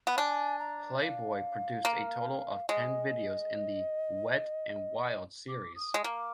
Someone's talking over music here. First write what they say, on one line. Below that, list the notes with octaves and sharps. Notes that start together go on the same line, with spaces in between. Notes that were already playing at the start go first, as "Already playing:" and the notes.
"Playboy" produced a total of ten videos in the "Wet and Wild" series.
B3
D4 G#5
A#5
F5
A#3
G#3 D#5
D6
D#6
G#3
A#3 D6